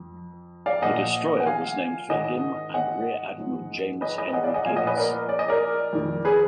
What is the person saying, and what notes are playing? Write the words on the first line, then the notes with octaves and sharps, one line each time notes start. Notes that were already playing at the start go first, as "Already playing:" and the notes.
The destroyer was named for him and Rear Admiral James Henry Gillis.
Already playing: F2
D5 F5
A#2 F3 D#5 F#5
F#5
F5 G#5
G#2 D#3 D#5 F#5
D#5 F#5
G#2 F3
B4 D#5
B4 D#5
D#5 F#5
D5 F5
D#5 F#5
A#2 F3 F5 G#5
D#5 F#5
B4 D#5
A#4 D5
D5
D#5
A#4 D5
F2 D#3
G#4 B4